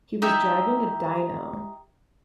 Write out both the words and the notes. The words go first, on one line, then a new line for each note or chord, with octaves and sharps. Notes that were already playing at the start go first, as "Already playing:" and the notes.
He was driving a Dino.
D#4 E4 G4 E5